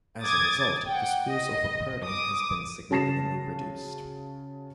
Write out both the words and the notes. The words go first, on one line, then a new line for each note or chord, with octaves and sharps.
As a result, the school's overcrowding has been significantly reduced.
D6 D#6 G#6 A6
F#5 G5
D#5
D6 D#6
C#3 F#4 A5 A#6 C7 E7